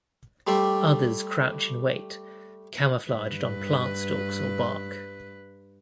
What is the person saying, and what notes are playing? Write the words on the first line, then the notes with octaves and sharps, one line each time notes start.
Others crouch in wait, camouflaged on plant stalks or bark.
G3 A3 G4 C5 D5 E5
G2 B4